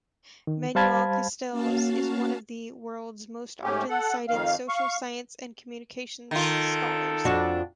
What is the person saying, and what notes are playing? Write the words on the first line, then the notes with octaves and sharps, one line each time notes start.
Manuel Castells is one of the world's most often-cited social science and communications scholars.
D#3
G3 C5 F5 A5 B5 G#6
A#3 C#4 F#4 F5 A5
G#2 A3 C#4 G4
A4 F#5
F2 D#3 F5
F5 C#6
D#3 F4 A4
F2 D4 F#4